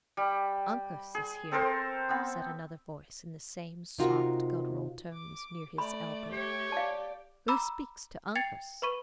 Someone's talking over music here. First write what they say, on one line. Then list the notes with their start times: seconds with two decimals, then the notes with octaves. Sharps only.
"Uncas is here," said another voice, in the same soft, guttural tones, near his elbow; "who speaks to Uncas?"
0.17 G3
1.15 G#4
1.51 C4 A4 A#4 C5
2.09 B3 C4
3.98 C3 D#4 F4 F#4 A#4
5.13 D6
5.78 A3 D5 B5
6.31 G4 C#5
6.72 D5 F5 A5
7.48 A#5 B5 D6 E6
8.35 G5 G#6 A6 C7 C#7 F7
8.82 B4 B5 C#6 D#7